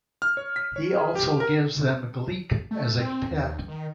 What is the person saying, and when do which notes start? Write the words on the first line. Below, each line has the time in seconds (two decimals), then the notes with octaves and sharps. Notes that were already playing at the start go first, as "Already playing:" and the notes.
He also gives them Gleek as a pet.
0.22 F6
0.37 C#5
0.56 B6
0.76 C#5
0.97 G#4
1.15 G4
1.40 A#4
2.71 A3
2.99 C4
3.31 D#2
3.68 D#3